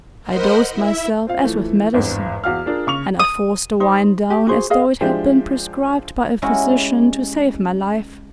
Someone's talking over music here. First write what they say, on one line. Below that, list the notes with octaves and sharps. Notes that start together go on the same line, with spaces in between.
I dosed myself as with medicine, and I forced the wine down as though it had been prescribed by a physician to save my life.
A#4 C5 D#5 F#5 B5 C6
E4 E5
C4 F4 F5
E3 F3 A3
G#1 E2 G2 B3
E2 F#4 F5 F6
D4 F4 G#4 A#4
C#3 C#6 F7
D#6
D#4 C5
G4
F#4 G#4 C5
G#4 A#4 D#5 F5
F3 G#3 D4 E4 G4 C5
G#3 C#4 E4 F#4 G4 C#5